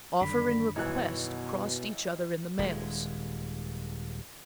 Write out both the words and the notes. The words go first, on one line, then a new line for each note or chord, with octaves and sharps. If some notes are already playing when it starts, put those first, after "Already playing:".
Offer and request crossed each other in the mails.
F#2 D3 D#3 G3 D4 B5
G#1 B2 E3 C#5 F#6
D#1 G#3